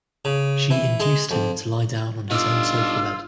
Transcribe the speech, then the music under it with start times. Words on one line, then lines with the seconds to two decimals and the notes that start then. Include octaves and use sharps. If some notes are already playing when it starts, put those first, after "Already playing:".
She induced him to lie down on his own sofa bed.
0.25 C#3
0.70 E3
1.00 G#3
1.31 F2
2.31 G1 D#4 F4 D5 E6